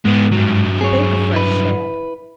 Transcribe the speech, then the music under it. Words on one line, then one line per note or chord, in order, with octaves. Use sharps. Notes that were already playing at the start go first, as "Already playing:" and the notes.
To Bake a Fresh Shad.
G#2 G#3 B3
G2 F#3
G#4 C#5
E4 B4